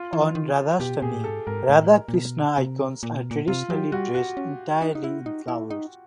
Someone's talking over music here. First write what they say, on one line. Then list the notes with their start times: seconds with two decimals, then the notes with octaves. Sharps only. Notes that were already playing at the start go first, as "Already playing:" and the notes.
On Radhastami, Radha Krishna icons are traditionally dressed entirely in flowers.
Already playing: F4
0.13 E3
0.35 D#3
0.80 B2 G4
1.02 A#2 G#4
1.14 A2
1.24 G#2 A4
1.47 G#2 A#4
1.69 A2
2.08 A#2
2.14 B2
2.58 C3
3.03 A#2
3.17 B2
3.31 A#2
3.48 C3 F4
3.70 F#3 G4
3.92 G3 F#4
4.15 F#4
4.37 C#4
4.82 D#4
4.95 D#4
5.04 E4
5.26 D#4
5.48 E4
5.70 D#4